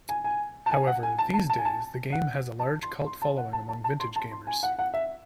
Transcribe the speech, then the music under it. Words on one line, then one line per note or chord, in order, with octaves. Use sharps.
However, these days the game has a large cult following among vintage gamers.
G#5
G#5
A5
G#5
F#5
G#5
A5
A5
A5
G#5
A5
F#5
A5
C6
C6
A5
F#5
A5
A5
A5
C6
A5
C6
G#5
F#5
F#5
E5